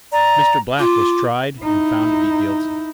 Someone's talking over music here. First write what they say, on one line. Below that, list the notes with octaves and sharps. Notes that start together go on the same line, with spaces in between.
Mr. Black was tried and found to be guilty.
D5 A#5
F4 D6
D#4 E4